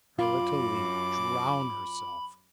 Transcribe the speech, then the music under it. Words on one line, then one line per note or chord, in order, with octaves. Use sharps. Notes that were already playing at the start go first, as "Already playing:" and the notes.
Her little Lena drown herself!
F#2 F4 B5 D6